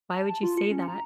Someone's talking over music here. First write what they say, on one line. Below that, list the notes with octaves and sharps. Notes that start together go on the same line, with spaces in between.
Why would you say that?"
A5
A5
F4
C#7
C#4
A#5